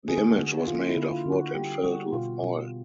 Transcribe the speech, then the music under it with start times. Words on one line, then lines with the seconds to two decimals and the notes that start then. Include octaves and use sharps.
The image was made of wood and filled with oil.
0.08 D3 G#4
0.38 D3 F#4
0.67 A#3 F4
0.88 E4
0.96 D3
1.10 F4
1.25 D3
1.32 F#4
1.54 G3 G4
1.83 G3 F#4
2.13 B2 F4
2.42 B2